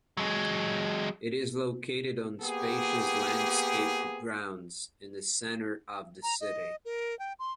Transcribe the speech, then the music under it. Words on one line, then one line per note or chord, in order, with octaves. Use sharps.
It is located on spacious landscaped grounds in the center of the city.
F#3 G#3
A#3 B3 G4 G#4
A#5
D#5
A#4
G5
C6